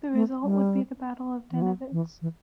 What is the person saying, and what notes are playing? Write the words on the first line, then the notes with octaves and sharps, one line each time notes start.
The result would be the Battle of Dennewitz.
A3
G3
E3
F#3
E3
E3